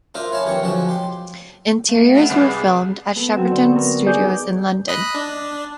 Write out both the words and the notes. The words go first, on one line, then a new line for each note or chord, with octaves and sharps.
Interiors were filmed at Shepperton Studios in London.
D4 F4 A#4 C5 E5
E4 C#5 F5 G#5 A5
D#2 E3 G4 C#5 C#6
B1 D3 F3 F#3 G#3 A5
G4 C6
A3 F5
D#3 F#3 B3 F#5
C2 B3 B4 D5
G#4
B3 A4
F#3 C4 F#4
D3
B3 A#4
D#4 G#4 D5 G6
D#5 B5 F#6
D4